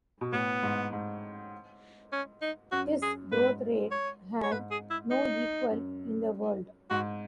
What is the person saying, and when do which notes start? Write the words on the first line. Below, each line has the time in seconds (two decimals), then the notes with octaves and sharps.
This growth rate had no equal in the world.
0.21 B2
0.33 A2 B3
0.63 G#2
0.93 G#2
2.12 C#4
2.42 D#4
2.72 F#2 F#4
3.02 G#4
3.31 G#2 B4
3.91 C#5
4.43 C#5
4.51 G#2 B4
4.71 G#4
4.91 E4
5.11 D#4
5.70 F#2
6.90 G#2 F#4